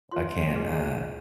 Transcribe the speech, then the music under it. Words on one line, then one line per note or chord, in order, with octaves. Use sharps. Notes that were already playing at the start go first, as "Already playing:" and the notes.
I can't, uh,
F4 A#4 C#5 C6
D#4 G#4 B4